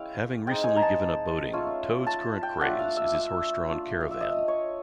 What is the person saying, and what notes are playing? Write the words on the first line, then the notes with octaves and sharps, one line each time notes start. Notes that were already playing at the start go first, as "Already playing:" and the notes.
Having recently given up boating, Toad's current craze is his horse-drawn caravan.
Already playing: G#3 C#4 E4 F5 G5
G#3 C4 D#4 G5
G#5
A#5
A5
A3 C#4 F4
A5
G5
A3 D4 F4 F#5
F5
E5
E5
A3 D4 F4
F5
E5
D#5
C#5